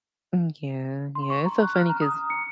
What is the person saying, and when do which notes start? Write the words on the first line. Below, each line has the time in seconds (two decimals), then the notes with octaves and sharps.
Mm, yeah, yeah, it's so funny 'cause
1.15 C6
1.30 C#6
1.46 A#5
1.63 F#6
1.75 F6
1.90 A#5
2.01 D#6
2.30 C#7